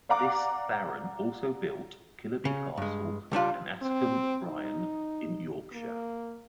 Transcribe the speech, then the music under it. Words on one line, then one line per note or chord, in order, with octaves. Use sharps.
This baron also built Killerby Castle and Askham Bryan in Yorkshire.
D5 F5 F#5 A#5 D6
C#3
G2 G#3
C#2 G3 D4 F4
C4
D#4
A#3